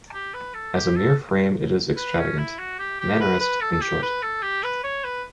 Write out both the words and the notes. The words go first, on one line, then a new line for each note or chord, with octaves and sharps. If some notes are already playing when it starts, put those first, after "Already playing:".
As a mere frame it is extravagant: Mannerist, in short.
G4
B4
A4
G4
A4
B4
C#4
E4
F#4
G4
G4
B4
B4
A4
A4
G4
B4
A4
G4
B4
C#5
B4